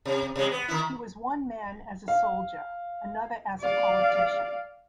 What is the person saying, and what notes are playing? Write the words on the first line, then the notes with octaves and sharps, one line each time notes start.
He was one man as a soldier, another as a politician.
C3
C3 G#3
B3
D#3 E4
F5
D5 F5